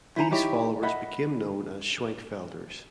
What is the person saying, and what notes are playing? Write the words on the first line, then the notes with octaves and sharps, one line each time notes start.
These followers became known as Schwenkfelders.
E4 C5 G#5 A#5
D#4 E4 G4 C#5
D#5 E5 F#5 B5